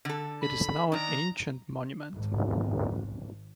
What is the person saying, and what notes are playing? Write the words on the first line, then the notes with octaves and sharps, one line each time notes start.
It is now an ancient monument.
D3 A4
B5
D#3 D4 A#5
G#1